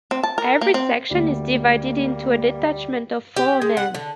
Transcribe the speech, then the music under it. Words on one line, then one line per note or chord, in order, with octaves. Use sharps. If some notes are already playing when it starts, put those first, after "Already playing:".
Every section is divided into a detachment of four men.
C4
A5
A#4
A#3
C4
D2 G3 A#3
G4
G#3
F#5
D3